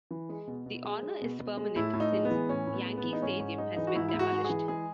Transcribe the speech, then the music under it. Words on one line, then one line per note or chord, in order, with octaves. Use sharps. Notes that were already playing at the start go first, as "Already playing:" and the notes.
The honor is permanent since Yankee Stadium has been demolished.
E3
G#3
B2
B2
G#3
G#3
B2
B2
G#3
A2 E4
A2
D#4
G#3
B3
E3
A2 C#4
A2
B3
G#3
B3
E3
D#4
G#2 C#4
G#2 C#4
G#3 D#4
E3 D#4
F#4
G#2 E4
E4
G#2
F#4
G#3
E3 G#4
G#3 G#4